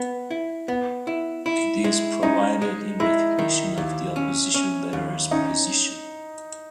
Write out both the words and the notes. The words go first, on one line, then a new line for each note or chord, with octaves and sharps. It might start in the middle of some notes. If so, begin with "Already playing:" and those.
It is provided in recognition of the opposition leader's position.
Already playing: B3
E4
B3
E4
E4
G#3
C#4 D#4
G#3
G#3 E4
D#3
D#2
C#4
C#4
D#2
C#4 D#4